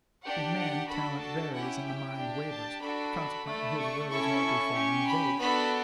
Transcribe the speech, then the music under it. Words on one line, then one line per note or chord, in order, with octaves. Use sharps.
In man, talent varies, and the mind wavers; consequently, his will is multiform and vague.
D4 G4 F#5
F#5
D4 F#4 A4 B5
A5
C#4 E4 G4 F#5
G5
D4 G4
A5
D4 F#4 A4 B5
A3 D4 A4
C#6
C#4 E4 A4 C#6
C#4 G4
B5
B3 D4 F#4 A4 B5